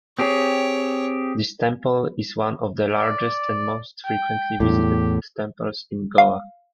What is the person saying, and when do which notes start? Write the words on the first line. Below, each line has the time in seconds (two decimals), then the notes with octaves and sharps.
This temple is one of the largest and most frequently visited temples in Goa.
0.19 C4 G4 G#4 C#5
2.94 D5
4.06 G5
4.60 E2 A2 G4
6.18 F5